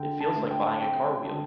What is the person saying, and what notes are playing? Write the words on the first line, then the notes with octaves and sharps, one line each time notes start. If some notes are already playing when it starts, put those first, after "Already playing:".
It feels like buying a car wheel.
Already playing: D3 G5
A5
A3
G5
C4 G5
D3